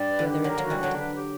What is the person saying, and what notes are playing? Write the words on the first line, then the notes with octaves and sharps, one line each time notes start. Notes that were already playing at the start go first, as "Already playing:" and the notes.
The other interrupted.
Already playing: G2 G3 D5
B4
D3
G4
D3 F#3 A#4
F#3 A#3 F#4
E3 G3
D3 F#3 D4
B4
G4